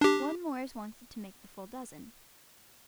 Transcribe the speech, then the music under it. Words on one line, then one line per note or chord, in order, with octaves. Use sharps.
One more is wanted to make the full dozen.
D4 G4